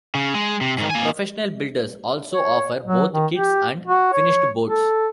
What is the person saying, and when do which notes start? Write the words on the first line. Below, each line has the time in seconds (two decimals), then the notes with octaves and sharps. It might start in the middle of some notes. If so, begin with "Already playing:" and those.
Some professional builders also offer both kits and finished boats.
0.15 C#3
0.35 G#3
0.61 C3
0.78 G#2 D#3
0.90 A#3 G#5
2.33 C#5
2.86 F#3
3.14 D#3
3.34 G4
3.87 F#4
4.13 C#5
4.68 A4